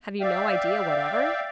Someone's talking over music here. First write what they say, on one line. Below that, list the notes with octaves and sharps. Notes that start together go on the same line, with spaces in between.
"Have you no idea whatever?"
D5 E5 F5 G5